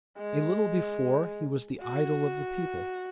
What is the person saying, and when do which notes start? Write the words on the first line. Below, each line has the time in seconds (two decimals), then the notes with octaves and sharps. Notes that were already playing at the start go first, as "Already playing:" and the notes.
A little before, he was the idol of the people.
0.18 G#3
1.81 F#4